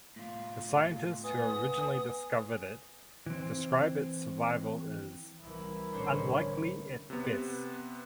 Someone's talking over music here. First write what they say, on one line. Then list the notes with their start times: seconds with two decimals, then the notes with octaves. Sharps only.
The scientists who originally discovered it describe its survival is "unlikely at best".
0.16 A2 F4
1.24 B3 G#5 D#6
3.26 E3 C4
5.41 C2 E3 E4 A#4
5.92 A2 D3 C#4 D4 C5 C#5
7.10 C3 B3